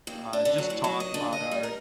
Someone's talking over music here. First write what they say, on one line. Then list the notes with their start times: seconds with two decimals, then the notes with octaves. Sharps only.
uh, just talk about our
0.07 D#2
0.33 D4
0.45 D3
0.58 F#3
0.70 A2
0.84 F#3
1.00 D#5
1.14 D3
1.33 D#5
1.51 G3
1.63 A#4